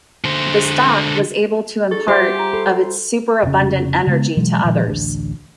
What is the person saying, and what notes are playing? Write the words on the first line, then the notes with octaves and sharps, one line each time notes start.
The stock was able to impart of its superabundant energy to others.
D3 C5
D4 G#4 A4 C#6
G3 F4 G4 A4 C5 E5 F#5
G#5 A#5
A4 B5
F1 C#3
C#3 G#3 B3
B2 E3 F#3 G#3
A#2 D#3 F3 G#3
A1 D2 D4